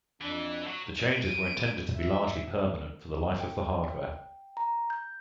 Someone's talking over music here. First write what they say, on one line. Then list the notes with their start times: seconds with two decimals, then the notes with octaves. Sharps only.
The changes were intended to be largely permanent for the life of the hardware.
0.22 F2 E3 D4
0.67 F#3 F#4
1.18 D7 D#7
1.96 E5
3.41 G5
4.57 A#5
4.90 G6